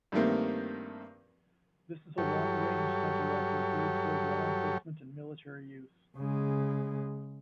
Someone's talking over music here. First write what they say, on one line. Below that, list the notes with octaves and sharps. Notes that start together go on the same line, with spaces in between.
This is a long-range sniper rifle geared toward law enforcement and military use.
G2 D#3 A3 A#3 C4
G2 F#3 G4 A4 C#5
C#3 G#3